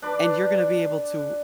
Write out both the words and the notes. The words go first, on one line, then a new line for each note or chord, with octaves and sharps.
and you're gonna be able to
D4 B4 D5 D6